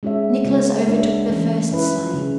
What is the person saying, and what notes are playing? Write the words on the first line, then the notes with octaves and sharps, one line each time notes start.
Nicholas overtook the first sleigh.
G#3 C#4 F#4 C#5 E5
C#3 G#3 B3 F#4 C#5
G#3 D4 F#4 C#5 E5
E3 A3 C#4
C#4 E4 B4 E5
C#3 F#3 C#4